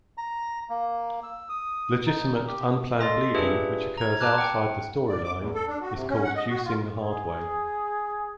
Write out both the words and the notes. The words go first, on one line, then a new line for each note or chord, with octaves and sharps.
Legitimate, unplanned bleeding which occurs outside the storyline is called juicing the hard way.
A#5
A#3
E6
D#6
D#4
G4
A4 D#5 C6 A6
D4 F4 G4 G#4 B4 E5
A#5 G#6
A5 A#5 D6 F6 F#6
F#5 G5
D5
D6
E2
A4
D4
F#4
C3
C#4
F#5
D#5
F#4
F4
G#4